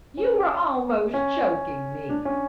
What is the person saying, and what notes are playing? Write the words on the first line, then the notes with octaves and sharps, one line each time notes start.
You are almost choking me!
C#4
C#4
D4
C#4